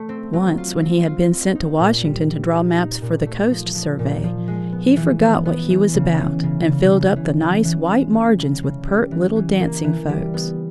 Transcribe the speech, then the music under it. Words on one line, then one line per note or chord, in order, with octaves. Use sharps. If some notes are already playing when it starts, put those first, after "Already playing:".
Once, when he had been sent to Washington to draw maps for the Coast Survey, he forgot what he was about and filled up the nice, white margins with pert little dancing folks.
Already playing: A3
C4
F#3
F4
C4
F4
C4
D#4
A#2
G3
G3
D#4
D#4
A#2
A3
F3
F3
A#2
F3
G#3
B3
E3
B3
B3
E3
C#3
E3
C#3
C#3
C#3
E3
C#3
E3
G#3
E3
C#3
C#3
G3
E3
E3
A#3
E3
G3
B3